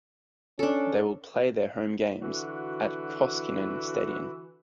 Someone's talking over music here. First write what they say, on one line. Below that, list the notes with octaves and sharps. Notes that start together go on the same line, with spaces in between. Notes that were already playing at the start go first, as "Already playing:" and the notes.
They will play their home games at Koskinen Stadium.
C#4 D4 A4
D3 E3 F#4